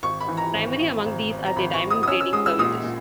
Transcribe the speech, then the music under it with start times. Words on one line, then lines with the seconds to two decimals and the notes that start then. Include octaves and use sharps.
Primary among these are their diamond grading services.
0.03 G#1 C#6
0.20 B5
0.29 E3
0.37 A#5
0.54 G#1
0.80 G#1
1.06 G#1
1.30 G#1
1.46 A#5
1.56 G#1 B5
1.74 C#6
1.81 G#1
1.90 D#6
2.03 D#6
2.08 C#4 E6
2.20 E6
2.33 G#3 D#6
2.46 E6
2.59 A#2 D#6
2.84 A#2